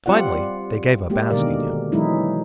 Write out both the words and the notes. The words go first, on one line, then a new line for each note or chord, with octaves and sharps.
Finally they gave up asking him.
G3 C4 F4 D5 F#5
G#3 A#3 G4
B2 D3 D#3 G#3 A#4 D5
E3 F#3 G#3 D#4 E4